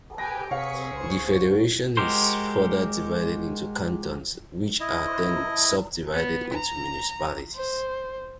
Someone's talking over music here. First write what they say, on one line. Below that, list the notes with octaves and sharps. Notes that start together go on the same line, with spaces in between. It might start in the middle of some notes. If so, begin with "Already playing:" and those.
The Federation is further divided into cantons, which are then subdivided into municipalities.
G4 B4 G5 G#5 A#6
C3 G#4 C#5 F5 F#5 C#6 B6
C#2 C5 C#6
G#3 F#4 G4 A#4 C5
E4 D#5
B3
A#5
C5